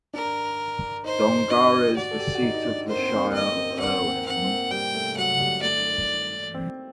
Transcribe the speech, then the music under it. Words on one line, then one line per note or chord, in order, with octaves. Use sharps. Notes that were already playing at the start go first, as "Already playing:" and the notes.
Dongara is the seat of the Shire of Irwin.
D4 A#4
D#4 C5
D4 D#5
G4
F#4 D5
A4
G4
F#4
D#4
D#4
D4
A#3 C5
C4
A#3
C4
A#3
C4 D#5
A#3
C4
A#3
C4
A#3 F#5
C4
A#3
C4
A#3
C4 F#5
A#3
C4
A#3
G3 G5
A3
F#3 F#5
G3
A3 D5
C4